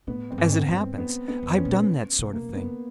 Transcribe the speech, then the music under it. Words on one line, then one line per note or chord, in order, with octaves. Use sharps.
As it happens, I've done that sort of thing.
A2 B3
G2 C4
G#2
C4
G2
C4
B3
B3
F2
C#4
A#2
C3
A#3
C#3
B3